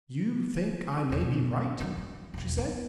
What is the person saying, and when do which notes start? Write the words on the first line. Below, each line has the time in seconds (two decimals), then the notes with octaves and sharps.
"You think I may be right?" she said.
1.10 D#1 F3
1.21 B2
1.80 D#3 F#3
1.97 E3
2.34 E1 D#2
2.58 B3